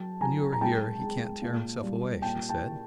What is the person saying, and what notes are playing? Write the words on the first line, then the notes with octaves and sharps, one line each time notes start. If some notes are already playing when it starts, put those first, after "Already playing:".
"When you are here he can't tear himself away," she said.
Already playing: F#3 G5 A5
F#3 G#5 A#5
A#5
G#3 G5 A5
G#3
A#2
G3
A#2 G5 A5
G5 A5